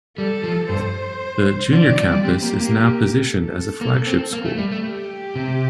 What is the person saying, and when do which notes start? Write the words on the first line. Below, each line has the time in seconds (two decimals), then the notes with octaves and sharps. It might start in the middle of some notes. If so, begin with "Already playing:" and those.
The Junior Campus is now positioned as a flagship school.
0.17 G3 A4
0.44 F3
0.69 G2 C5
1.73 D3 D5
1.86 D#3
1.99 F3
2.12 G3
2.25 C4 G4
2.43 A#3
2.60 A#3
3.29 A4
3.81 A#3
4.07 C4
4.33 A#3
4.45 A3
4.58 G3
4.72 A3
4.84 G4
5.36 C3